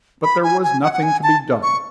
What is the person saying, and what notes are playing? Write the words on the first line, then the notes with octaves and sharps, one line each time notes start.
But there was nothing to be done.
B5
G#5
G#5
F#5
F#5
G#5
A5
C#6